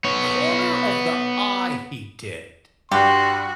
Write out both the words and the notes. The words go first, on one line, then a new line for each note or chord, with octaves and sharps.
Corner of the eye, he did
B3 C#5
G2 G3 F#4 G4 C6